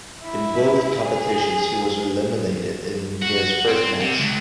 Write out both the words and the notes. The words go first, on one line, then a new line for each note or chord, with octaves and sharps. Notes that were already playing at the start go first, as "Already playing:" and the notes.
In both competitions he was eliminated in his first match.
E4
G#4
F#4
C4
C3
C#2